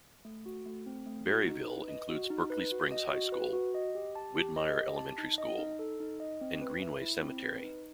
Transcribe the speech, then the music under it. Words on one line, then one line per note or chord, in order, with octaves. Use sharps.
Berryville includes Berkeley Springs High School, Widmyer Elementary School, and Greenway Cemetery.
A3
F#4
A3
C4
A3
F#4
D#4
B4
D#5
F#4
D#4
B4
F#4
D#5
F#4
B4
F#4
D#5
G4
A5
G4
D#5
G4
A5
D#4
D#5
D#4
A4
D#4
D#5
C4
B4
E5
E4
C4
B4
D#4